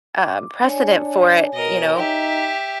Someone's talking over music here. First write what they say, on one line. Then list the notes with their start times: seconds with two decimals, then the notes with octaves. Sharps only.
um, precedent for it, you know,
0.24 D6
0.64 D4 C#5 G#5
1.53 B2 A#4 D#5
1.96 D#4 G4 E5